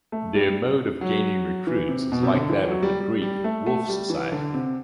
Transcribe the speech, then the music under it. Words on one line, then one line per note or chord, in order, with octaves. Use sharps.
Their mode of gaining recruits is like that of the Greek Wolf Society.
A3
G3
F#3
E3
C3
B2
C3
D3
E3
F#3
G3
G3
G3
A3
A3
G3
E3
D3
C3